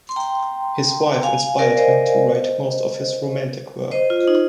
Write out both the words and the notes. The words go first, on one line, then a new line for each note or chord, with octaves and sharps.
His wife inspired him to write most of his romantic work.
C6
G5 A#5
F5 G#5
A#4 D5
C5 D#5
C5 D#5
F4
D#4